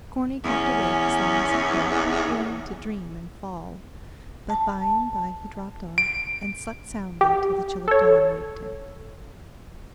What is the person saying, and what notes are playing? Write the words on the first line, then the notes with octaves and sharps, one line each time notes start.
Corny kept awake as long as he could, fearing to dream and fall; but by-and-by he dropped off, and slept soundly till the chill of dawn waked him.
E2 C#4
A5
D7
G4
A4 C#5